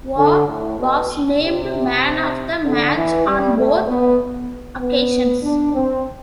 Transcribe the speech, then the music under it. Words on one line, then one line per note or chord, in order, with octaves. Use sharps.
Waugh was named man of the match on both occasions.
D3
A2
B2
C3
D3
E3
G3
A3
B3
B3
D4
C4